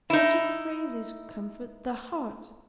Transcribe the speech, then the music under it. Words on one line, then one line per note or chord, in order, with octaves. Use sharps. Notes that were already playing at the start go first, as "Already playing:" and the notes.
Tragic phrases comfort the heart....
D#4 E4